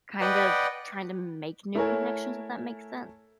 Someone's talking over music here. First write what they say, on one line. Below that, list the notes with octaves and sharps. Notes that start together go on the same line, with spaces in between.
kind of trying to make new connections, if that makes sense,
B4 D5 D#5 F#5 G5
A3 E4 A4 A#4 C#5 G#5